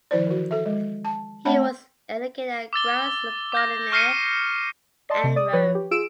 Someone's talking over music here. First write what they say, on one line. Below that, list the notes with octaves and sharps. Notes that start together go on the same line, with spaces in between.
He was educated at Graz, Bologna and Rome.
D#3 F3 E4 C5 D5
E3 F#4
A4 E5
G#3
A5
A3 C4 C#5 F#5 A5 B5
D6 E6 A6 G7
D6 G6 A#6
C#6 F6 A#6 C7 C#7 D#7
D5 D#5 A5 C6
C3
D5 D#6
F3 B4 C#5
G4
F4 G#4 E6 D7 E7